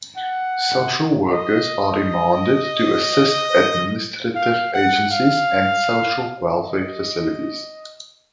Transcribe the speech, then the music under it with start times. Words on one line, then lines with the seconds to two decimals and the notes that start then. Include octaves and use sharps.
Social workers are remanded to assist administrative agencies and social welfare facilities.
0.16 F#5
1.31 D#5
4.35 F5
4.74 F#5
5.11 F5
6.64 D#5